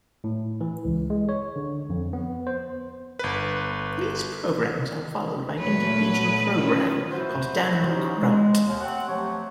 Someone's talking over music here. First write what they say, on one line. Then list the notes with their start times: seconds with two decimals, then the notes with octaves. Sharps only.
These programs are followed by an inter-regional program called Danmark Rundt.
0.24 A2
0.61 E3
0.85 C#2
1.10 G#3
1.29 C#5
1.56 D3
1.90 F2
2.13 B3
2.47 C5
3.19 G1 B4
5.59 E2 A#2 F#3 A3 B4 C#5
6.56 D#3 C#4 F4
7.11 E4 F#4 C5
7.86 C#4 D#4 F4 G4 C5 C#5
8.16 G#3
8.66 D#2
8.80 A3 C4 F#5
9.08 F3 F#3 A3 G4 C#5